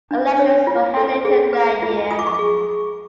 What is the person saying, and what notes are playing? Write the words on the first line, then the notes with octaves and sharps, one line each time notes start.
Elections were held later that year.
D4
C#5
F4
A4
G#4
B4
F4
F4 D#6
D6
C#6
D6
G#4